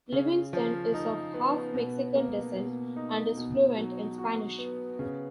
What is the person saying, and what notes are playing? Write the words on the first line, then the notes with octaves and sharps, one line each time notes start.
Livingston is of half Mexican descent, and is fluent in Spanish.
C#3
F3
D#4
B3
B2
A#3
B2
D#4
B2
F#3
F#4
B3
C#3